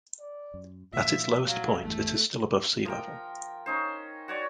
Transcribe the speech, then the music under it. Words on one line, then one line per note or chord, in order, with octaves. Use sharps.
At its lowest point it is still above sea level.
D5
F#2
A#2 F3 F4 E5
F#3 F5
G#1 E2 G2 A3 A4
F3 A#4 G5
C#4 D#4 C5
F#4 C#5 D5